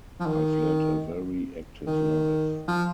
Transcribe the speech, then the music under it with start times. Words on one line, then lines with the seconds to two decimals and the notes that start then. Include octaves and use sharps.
I've led a very active life.
0.20 F3
0.26 D#3
1.87 D#3
2.68 F3